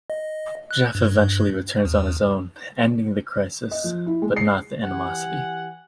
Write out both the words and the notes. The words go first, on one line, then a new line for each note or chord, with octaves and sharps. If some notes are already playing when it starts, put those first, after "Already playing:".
Jeff eventually returns on his own, ending the crisis, but not the animosity.
D#5
F#6
G2
E2
D#5
F3
E4
G#3
C7
E3 G4 F#5 G#5